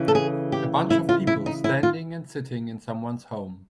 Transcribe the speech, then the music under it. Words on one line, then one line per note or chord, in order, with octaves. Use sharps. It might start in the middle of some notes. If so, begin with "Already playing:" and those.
A bunch of people standing and sitting in someones home.
Already playing: C#3 E3 A3
A4
G#4
G4
E4
F4
E4
D#4
E4
F4